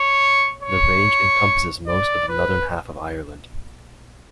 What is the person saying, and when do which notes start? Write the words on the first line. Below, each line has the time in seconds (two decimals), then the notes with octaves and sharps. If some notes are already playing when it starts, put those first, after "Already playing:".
The range encompasses most of the northern half of Ireland.
Already playing: C#5
0.63 C#5
1.87 D5
2.29 B4